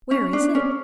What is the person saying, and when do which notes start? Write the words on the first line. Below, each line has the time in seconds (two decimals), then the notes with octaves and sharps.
'Where is it?
0.11 C#4
0.33 D4
0.55 C#4